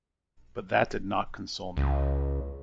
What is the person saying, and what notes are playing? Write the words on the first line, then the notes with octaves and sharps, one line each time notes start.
But that did not console me.
C#2